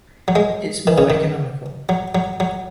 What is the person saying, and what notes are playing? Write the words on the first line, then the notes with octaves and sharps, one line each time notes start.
It's more economical.
F#3
G#3
D#3
C#3
D#3
F#3
F#3
F#3